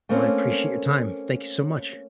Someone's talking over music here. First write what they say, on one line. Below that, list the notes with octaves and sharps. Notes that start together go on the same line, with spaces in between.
Well, I appreciate your time. Thank you so much.
A3 A#3 C4 C#4